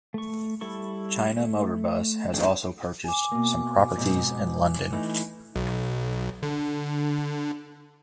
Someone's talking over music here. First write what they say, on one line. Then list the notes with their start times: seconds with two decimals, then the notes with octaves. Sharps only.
China Motor Bus has also purchased some properties in London.
0.14 A3 C#6
0.61 G3 E4 A4 C#6
1.40 A3
2.34 A3 D4 D#4 G#4 G5
3.04 G#5 D6
3.32 B2 A#3
3.96 F2 G#2 B2
4.92 E3 A3 D#4
5.56 B1
6.43 D3